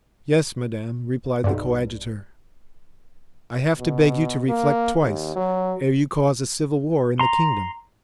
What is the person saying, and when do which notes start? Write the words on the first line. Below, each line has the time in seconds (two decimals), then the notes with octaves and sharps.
"Yes, madame," replied the coadjutor; "I have to beg you to reflect twice ere you cause a civil war in the kingdom."
1.44 B1 G2
3.79 B2
4.49 A#3
5.02 D#2
5.35 F#3
7.19 A#5 C6